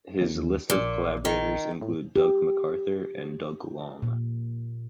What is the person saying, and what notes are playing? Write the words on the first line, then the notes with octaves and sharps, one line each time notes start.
His list of collaborators include Doug McArthur and Doug Long.
D#2
A#1 A#2
D#3
A2
G4
A#2